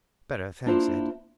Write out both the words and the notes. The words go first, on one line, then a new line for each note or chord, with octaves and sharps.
"Better, thanks, Ed."
A#3 D4 E4 F4 C5 E5